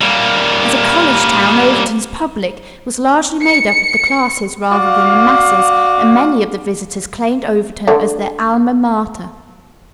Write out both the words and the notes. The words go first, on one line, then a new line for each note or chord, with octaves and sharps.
As a college town Overton's "public" was largely made up of the classes rather than the masses, and many of the visitors claimed Overton as their Alma Mater.
G3 A#3
C#7
F#4 D5 F5
D3 A3 D5